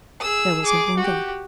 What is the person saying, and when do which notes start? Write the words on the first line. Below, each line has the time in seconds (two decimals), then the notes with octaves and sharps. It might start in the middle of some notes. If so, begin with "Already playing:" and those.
There was no one there.
0.20 G#4 E6
0.62 G#4 D6
0.98 F#4 G4